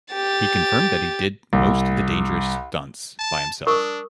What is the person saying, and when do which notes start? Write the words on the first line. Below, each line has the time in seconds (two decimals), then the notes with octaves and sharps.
He confirmed that he did most of the dangerous stunts by himself.
0.14 G4 A6
1.53 C2
3.19 A5
3.67 D4 A#4 C#6 D#6